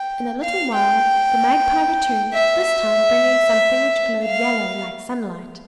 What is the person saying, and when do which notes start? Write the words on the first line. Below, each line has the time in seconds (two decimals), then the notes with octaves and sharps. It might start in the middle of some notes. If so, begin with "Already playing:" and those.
In a little while the Magpie returned, this time bringing something which glowed yellow like sunlight.
Already playing: G5
0.42 F5
0.75 G5
2.33 E5
2.65 E5
4.25 F5